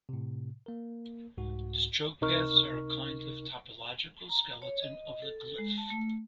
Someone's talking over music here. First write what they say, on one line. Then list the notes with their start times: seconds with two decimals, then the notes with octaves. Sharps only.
The stroke paths are a kind of topological skeleton of the glyph.
0.09 A2 C3
0.66 A#3 A#4
1.37 C2 G#2 F#4
2.21 C#2 C3 D#4 A#4 C#6 F6
4.29 A#5
4.62 C#5
4.82 D#5
5.22 A4
5.58 G#3
5.77 A5
5.90 A3